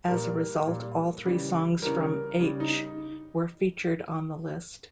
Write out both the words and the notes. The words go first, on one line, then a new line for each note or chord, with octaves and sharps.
As a result, all three songs from "H" were featured on the list.
A#2 G3 A#4
A#2 G3
C#3 E3 G3
C#3 E3 G3 A#4
C#3 G3
D#4